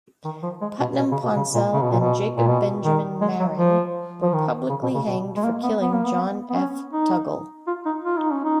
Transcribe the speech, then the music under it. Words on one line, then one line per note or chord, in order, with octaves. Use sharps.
Putnam Ponsell and Jacob Benjamin Marin were publicly hanged for killing John F. Tuggle.
D#3
F3
G#3
B2
B2
C#3
B2
C#3
A#2
C#3
B2
A#2
B2
A#2
B2
D#3
G#3
F#3
F3
F3
D#3
C#3
B2
C#3
B2
G#3
A#3
B3
B3
A#3
B3
B3
C#4
D#4
F4
D#4
F4
D#4
C#4
D#4